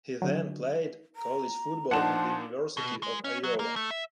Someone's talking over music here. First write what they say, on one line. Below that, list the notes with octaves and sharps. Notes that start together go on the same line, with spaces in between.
He then played college football at the University of Iowa.
D3 F#3
A#5
A#2 F3 D4 D#4 F#5 A5 C6 E7
B2
G#3
C#4
F#3
A#3
A3
E5